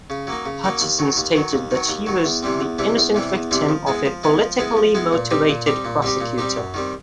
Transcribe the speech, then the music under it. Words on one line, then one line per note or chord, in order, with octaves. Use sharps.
Hutchison stated that she was the innocent victim of a politically motivated prosecutor.
C#3
F#3 A#3 D#4
C#3
F#3 A#3 D#4
D#2
D#3 F#3
D#2
D#3 F#3
D#2
D#3 F#3
D#2
D#3 F#3
E2
C3 E3 G3 C4
E2
C3 E3 G3 C4
E2
C3 E3 G3 C4
E2
C3 E3 G3 C4
F3
G#3 B3 E4 G#4
F3
G#3 B3 E4 G#4
F3
G#3 B3 E4 G#4
F3
G#3 B3 E4 G#4
A#2
G3 C4 D#4 G4
A#2
G3 C4 D#4 G4
A#2
G3 C4 D#4 G4
A#2
G3 C4 D#4 G4
F#2
D#3 G3 C4